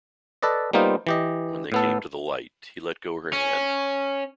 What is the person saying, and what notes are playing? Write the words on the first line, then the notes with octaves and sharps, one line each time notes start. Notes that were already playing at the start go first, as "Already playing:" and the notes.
When they came to the light, he let go her hand.
A4 B4 D5 D#5
G3 A#3 B3 D#4 F4 C5
E3 G4 D#5
A2 B3 A4
C#4